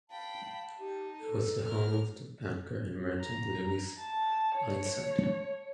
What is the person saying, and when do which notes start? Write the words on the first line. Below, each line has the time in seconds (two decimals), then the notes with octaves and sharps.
It was the home of the banker and merchant Louis Einstein.
0.11 F5 G5 A5 B5
0.79 D#4 G4
1.20 A4
1.64 B2 C#4 F#4 A#4 F6
3.21 A#5
3.98 A5
4.56 C#5